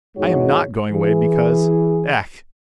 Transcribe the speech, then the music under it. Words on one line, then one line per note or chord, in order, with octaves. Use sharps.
I am not going away because ... ech!
E2 G#2 G#3 D#4 F#4 C#5
E3 G#4